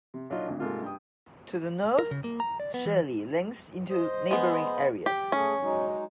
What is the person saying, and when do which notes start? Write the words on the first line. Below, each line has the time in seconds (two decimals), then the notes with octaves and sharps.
To the north, Shirley links into neighbouring areas.
0.14 C3
0.30 A#1 F#3 D#4 F4 D#5
0.47 G#1 D2
0.60 G#2 C3 A3 A#3 F4
0.82 G2 G5 D#6
1.99 A#4
2.11 C#3
2.24 A#3
2.40 A#5
2.60 D5
2.74 B3
2.86 E3
3.89 C5 D#5
4.31 G#3 B3
5.06 G4
5.32 A3 C#4 G#4
5.62 F#3 G#3 D#4